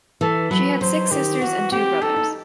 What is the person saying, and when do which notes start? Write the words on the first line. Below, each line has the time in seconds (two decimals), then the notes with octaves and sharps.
She had six sisters and two brothers.
0.21 E3 A4
0.51 F#3 B4
0.81 F#3 C5
1.11 D#3 G4
1.41 E3 F#4
1.72 C4 G4
2.02 D#4 A4
2.16 D#4